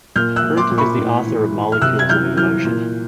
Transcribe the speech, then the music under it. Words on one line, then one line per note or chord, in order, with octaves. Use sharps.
Pert is the author of "Molecules of Emotion".
A#2 F6 G6
E6 F#6
A#2
C6 D6
A#2
B5 C#6
A2
E3
E3
F6
C3 E6 F#6
G#6
E3 F6 G6
E3 F6 G6
A#2